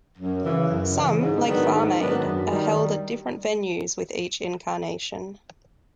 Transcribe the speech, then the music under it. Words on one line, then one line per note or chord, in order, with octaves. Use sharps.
Some, like Farm Aid are held at different venues with each incarnation.
F#2
C#3 E3
F#2
C#3 E3
G#2
D#3 F#3 B3 D4
G#2
D#3 F#3 B3 D4
F#2
D#3 G3